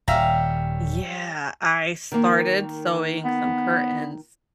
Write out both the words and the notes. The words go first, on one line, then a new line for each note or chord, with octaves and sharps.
Yeah, I started sewing some curtains,
D#1 D#3 G3 C#4 E5 F5 A#5
D#3 A#3
B3